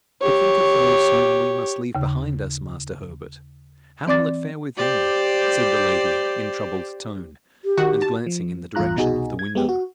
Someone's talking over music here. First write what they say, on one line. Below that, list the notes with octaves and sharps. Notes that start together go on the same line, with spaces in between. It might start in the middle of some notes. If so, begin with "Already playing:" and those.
'But think of those whom we must leave behind us, master Herbert. How will it fare with them?' said the lady in troubled tone, and glancing in the direction of the window.
G4 C#5
D#2 C#3
E3 C4 D5 D6 A6
G4 C5 D5
G4
D#3 F#4 F#5
A5
F3
A1 E2 G2 F4 A#5 F#6
C2 B2 D#4 F#4 G#4
G#6
G#3 B3 G4
F#4